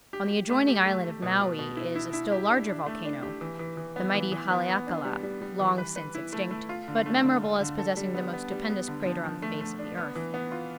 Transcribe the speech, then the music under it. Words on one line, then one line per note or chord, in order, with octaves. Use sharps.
On the adjoining island of Maui is a still larger volcano, the mighty Haleakala, long since extinct, but memorable as possessing the most stupendous crater on the face of the earth.
G4
G4
A3
G4
A3
A3
B2
B2
B2
E4
E4
E4
G4
D4
D4
A3
D4
G4
E3
E3
E3
B3
E3
E3
B3
B3
D4
G3
G3
G3
E3
B4
B4
E4
A3
A3
F4
D3
A3
D3
D3
D3
A4
G3
B3
B3
G3
B3
D3
F3
F3
A3
A3
D4
B3
E3
B3
F4